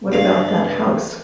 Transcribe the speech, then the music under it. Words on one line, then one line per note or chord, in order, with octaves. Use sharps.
What about that House?
G2 F5